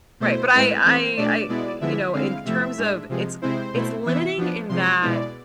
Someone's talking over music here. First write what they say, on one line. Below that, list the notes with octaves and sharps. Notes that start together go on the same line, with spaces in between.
right, but I I I you know in terms of it's it's limiting in that
B2 A3 E4 C5
A2 G#3 C4 E4 B4
E3 A3 C4 C5
B2 A3 D4 D5
B2 G#3 B3 E4 D5
D3 F3 G#3 B3 E4 E5
D3 G#3 C4 E4 F5
C3 F3 A3 C4 E4 E5
A2 G#3 D4
C3 F3 G#3
C3 G#3 C4 E4 C5
B2 A3 C4 E4
C3 E3 B3 E4 E5
F3 B3 D4
C3 F3 G#3 C6
B2 G#3 B3 E4 D5